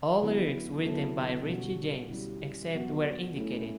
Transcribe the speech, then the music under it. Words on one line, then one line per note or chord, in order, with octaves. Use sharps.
All lyrics written by Richey James, except where indicated.
D3 F#3 B3 E4
D3 F#3 B3 E4 A4
B2 G3 C#4 F#4
G3 C#4 E4
F#3 B3 F#4
A3 C#4 E4